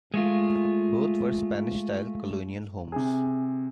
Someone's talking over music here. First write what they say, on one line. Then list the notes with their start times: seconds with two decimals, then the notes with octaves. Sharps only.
Both were Spanish-style colonial homes.
0.14 G#3 A3 F4
2.92 C3 G#4